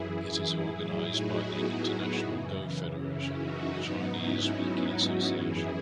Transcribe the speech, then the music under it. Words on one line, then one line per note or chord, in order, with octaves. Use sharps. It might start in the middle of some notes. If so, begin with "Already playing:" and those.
It is organized by the International Go Federation and the Chinese Weiqi Association.
Already playing: F#2 E3 E4 G#4
A2 F#3 E4 G#4
D#4 F#4
B3 D#4
F#2 C#3 E3
C#4 E4
D#4 F#4
G#2 F#3 B3 D#4
C#4 E4
D#4 F#4
F#2 E3 E4 G#4